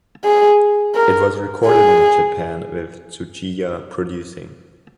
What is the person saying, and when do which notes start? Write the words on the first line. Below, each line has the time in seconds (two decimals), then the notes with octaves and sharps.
It was recorded in Japan with Tsuchiya producing.
0.25 G#4
0.95 A#4
1.66 G#4